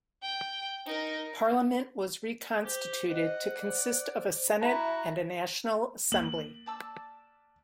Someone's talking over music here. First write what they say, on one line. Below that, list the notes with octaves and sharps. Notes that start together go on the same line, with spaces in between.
Parliament was reconstituted to consist of a Senate and a National Assembly.
G5
D#4 A#4
G4 C5
D#5 F#5
D5
E4 F#4 E5 A5 A#5
A#3 F#7
D5 A5 E6